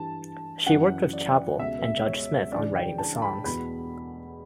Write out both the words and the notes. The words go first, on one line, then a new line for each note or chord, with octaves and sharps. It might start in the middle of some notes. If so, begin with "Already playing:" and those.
She worked with Chappell and Judge Smith on writing the songs.
Already playing: G2 E3 A5
F#2 E3 F#5
D5
C#2 B2 E5
E5
C#5
D2 C#3 E3 D5
G5
A5
B5
E2 B2 B5